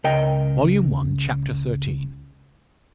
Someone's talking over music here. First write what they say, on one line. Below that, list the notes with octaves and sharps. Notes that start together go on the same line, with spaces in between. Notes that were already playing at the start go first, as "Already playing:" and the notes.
Volume One, Chapter XIII.
C#2 A#4 D#5 G5